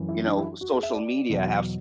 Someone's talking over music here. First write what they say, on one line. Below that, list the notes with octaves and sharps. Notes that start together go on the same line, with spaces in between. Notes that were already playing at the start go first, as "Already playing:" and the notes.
you know, social media have s
Already playing: F#2 E3
E4
D4
E4
F#4
G#4
E5
D5
E2 B2 F#3